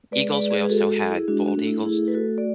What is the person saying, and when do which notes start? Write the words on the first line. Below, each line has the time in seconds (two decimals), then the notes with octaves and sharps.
eagles, we also had bald eagles
0.12 G#3 B4 D5
0.32 B4 D5
0.51 G#4 B4
0.70 F#4 A4
0.89 F#4 A4
1.08 E4 G#4
1.28 G#3 D4 F#4
1.48 D4 F#4
1.57 A3
1.67 E4
1.85 A3 E4 G#4
2.08 B4
2.15 F#4 A4
2.38 D5